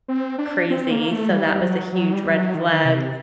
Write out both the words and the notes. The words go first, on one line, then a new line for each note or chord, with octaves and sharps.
crazy, so that was a huge red flag.
C4
D4
C4
A#3
A3
G3
F#3
F#3
G3
F#3
D#3
C3